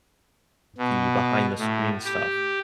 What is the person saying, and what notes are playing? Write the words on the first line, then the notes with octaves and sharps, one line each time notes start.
the behind the screen stuff.
B2
A2
G4